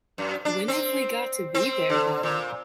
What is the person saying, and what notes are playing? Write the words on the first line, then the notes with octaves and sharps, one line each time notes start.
When've we got to be there by?
F#2
D4
C4
C4
D3
A#2